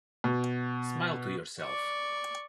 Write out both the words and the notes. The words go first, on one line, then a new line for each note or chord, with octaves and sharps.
Smile to yourself.
B2
D5 C#6